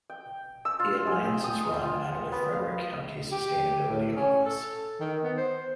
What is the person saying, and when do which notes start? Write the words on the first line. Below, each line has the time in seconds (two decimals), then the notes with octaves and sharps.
The alliance is run out of the Frederick County Sustainability Office.
0.10 G5
0.65 E6
0.79 F4
1.07 G#4
1.24 G5
1.44 D#6
1.85 F4
2.32 B3
2.53 F5
3.32 G4
3.89 A2
4.17 C#4
4.46 A4
5.01 D#3
5.24 B3
5.37 C5